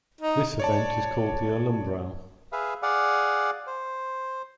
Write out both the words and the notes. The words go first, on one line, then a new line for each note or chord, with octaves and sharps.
This event is called the "alumbrao".
D#4
C#5 D5 A5
G#4 B4 E5 F5
G#4 D5 F5 F#5
C5